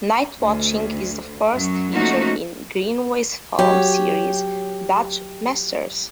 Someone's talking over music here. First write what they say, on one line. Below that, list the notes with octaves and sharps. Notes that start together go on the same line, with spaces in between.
"Nightwatching" is the first feature in Greenaway's film series "Dutch Masters".
D2
F#2 F#3
F3 A3 A#3 C#4 D#4 F#4
F#3 F#4 G4 C#5